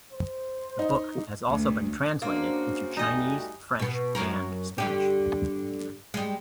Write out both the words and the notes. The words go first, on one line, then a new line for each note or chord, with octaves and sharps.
The book has also been translated into Chinese, French and Spanish.
C5
D#4
D2
C#3 A#3 D4 F#4 C5
G3 A3 D#4 F#4 D#5 G#5
B2 B3
F#2 F#3 A#4
G2 D3 G4
G3 G#3